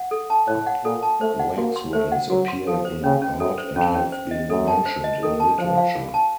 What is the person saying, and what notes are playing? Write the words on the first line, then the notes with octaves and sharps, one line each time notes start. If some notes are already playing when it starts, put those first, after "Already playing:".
Waxwings appear in art and have been mentioned in literature.
Already playing: F#5
A4
A5
A2 C#5
F#5
A#2 A4
A5
A3 C5
F#5
A#3 F#4
C6
A3 C5
F#5
F#3 F#4
C6
F3 A4
C5
C#3 C#4
C#4
F#2 A4
C5
F2 C#4
C#4
C5
D#5
F#2 A4
A5
C5
D#5
D#3 A4
A5
F3 C5
F5
F4
A5